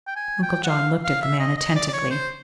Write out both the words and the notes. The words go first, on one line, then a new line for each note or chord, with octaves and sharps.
Uncle John looked at the man attentively.
G5
G#5
G5
F#5
F5
F5
E5
D#5
D#5
D5
D5
C#5
C5